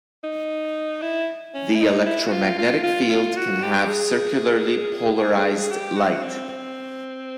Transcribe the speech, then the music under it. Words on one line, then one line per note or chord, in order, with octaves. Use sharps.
The electromagnetic field can have circularly polarized light.
D#4
E4
C#4
E4
D#4
E4
F#4
F4
F4
F4
F4
F#4
G4
G#4
G4
F#4
G4
F#4
C4
C4